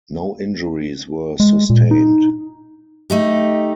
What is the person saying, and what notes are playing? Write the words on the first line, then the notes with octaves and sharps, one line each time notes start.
No injuries were sustained.
G#3
A#2
D#4
A3 D#4 G4